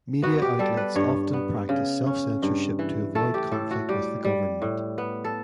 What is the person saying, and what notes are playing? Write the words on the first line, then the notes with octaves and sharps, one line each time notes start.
Media outlets often practice self-censorship to avoid conflict with the government.
B3 F#4
G4
G3 A4
B4
G2 C#5
B3
C#3
C#4
G2
E3
A3 A4
G4
A2 A4
F#4
G3 G4
G3
A2
B3
A4